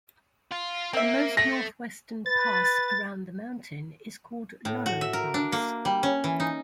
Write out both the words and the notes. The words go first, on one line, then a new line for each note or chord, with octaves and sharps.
The most northwestern pass around the mountain is called Lolo Pass.
F4
A#3 C4 E5
A3 A#6
B4 A6
A2
F#4
E5
A#4
D4
A#3
G3
C#4
E3
D#4